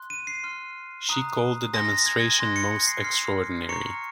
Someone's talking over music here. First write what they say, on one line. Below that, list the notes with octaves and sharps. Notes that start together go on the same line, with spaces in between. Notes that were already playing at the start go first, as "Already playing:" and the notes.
She called the demonstration "most extraordinary".
Already playing: C6 F#6
D#7
C7
C6 F6
A#5 D#6 F#6
G#5 C6 F6 A#6
G#6
G#5 C6 F#6 A#6
C#7
C#7
C7
C6 F6 C7
A#5 C#6 F6 C#7